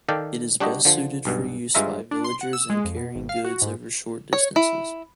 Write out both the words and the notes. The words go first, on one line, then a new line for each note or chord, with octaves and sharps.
It is best suited for use by villagers in carrying goods over short distances.
D#3 A4 D5 F5 G5
G3 D4 F#4 G4 D#5
D3 F3
B1 G2 B2
G2 G#3 F4 E5 A#5
D4
C6
F#5
E6
G#3
F2
B2
G#1
F5
F#4
G#2
C#5
E4